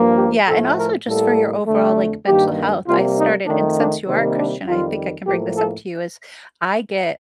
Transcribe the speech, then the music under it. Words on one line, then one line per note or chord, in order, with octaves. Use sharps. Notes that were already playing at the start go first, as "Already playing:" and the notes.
Yeah, and also just for your overall, like, mental health I started and since you are a Christian, I think I can bring this up to you, is I get
Already playing: G2 F3 A#3
G4
A2 F3 A3 A4
A#4
A2 G3 A#3 A4
F2 D3 A3
G2 D#3 A#3 G4
C3 G3 A#3 F4
D#4
F2 D#3 A3 D4
D4
C3 D#3 G3 A#3 C4
D4
F2 D#3 G3 F4
A2 F3 A#3 G4
A4